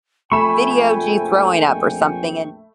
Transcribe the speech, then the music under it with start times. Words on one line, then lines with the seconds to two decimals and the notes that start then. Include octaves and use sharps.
videoed you throwing up or something, and
0.32 A#1 F2 A3 G5 G#5 B5 C#6 E7